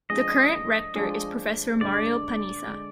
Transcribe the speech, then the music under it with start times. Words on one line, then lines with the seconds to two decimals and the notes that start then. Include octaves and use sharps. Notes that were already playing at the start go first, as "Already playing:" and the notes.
The current Rector is Professor Mario Panizza.
0.10 F3 G#3 D4 G#4 D#5
0.96 F3 G#3 D4 G#4
1.81 G2 D3 G#3 D5
2.67 D3 G#3